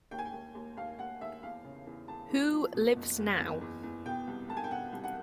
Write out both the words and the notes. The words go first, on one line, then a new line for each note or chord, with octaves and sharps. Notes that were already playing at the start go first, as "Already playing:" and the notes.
Who lives now?
D#2 G5
G#5
G5
D#2
D#2
D#2 F5
D#2 F#5
D#2 E5
E2 F5
C#3
E2
E2 A5
E2
F3
B2
F#1
F#1
E2
E2
E2
B2 G5
C2
C2 A5
G#5
G5
B2 F#5
C2
F#5